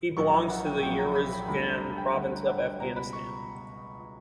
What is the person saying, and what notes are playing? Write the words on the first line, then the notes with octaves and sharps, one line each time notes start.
He belongs to the Uruzgan province of Afghanistan.
A#1 A#2 F#3 C#6
E5
F#5
G5
A#1 A#2 F#3 G5
A#5
B5
B5
D2 D3 G3 B5
A#5
G5
D2 D3 G3 F#5
F#5
C#2 B2 G3 A#5
B5
C#6